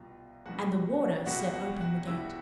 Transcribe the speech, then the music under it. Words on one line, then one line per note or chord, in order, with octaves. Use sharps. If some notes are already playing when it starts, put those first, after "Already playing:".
And the Warder set open the gate.
Already playing: C2 B2 G3 F4
C2 B2 G3 F#4 F#5
C2 B2 G3 F#4 F#5
F#4 F#5
F#4 F#5
C2 B2 G3 E4 E5